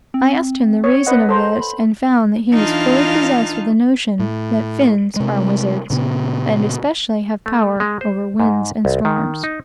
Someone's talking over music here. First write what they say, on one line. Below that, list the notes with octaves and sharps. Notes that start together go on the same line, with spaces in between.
I asked him the reason of this, and found that he was fully possessed with the notion that Fins are wizards, and especially have power over winds and storms.
C4
C#5
B4 D#5 F#5
A4 C5 A#5
B5
E3 D4 D#4 F4 F5 A5
A2
C3 G#3
A#2 C#3 B3
A3
G#3
C5
G#2
C2
D#3
D#4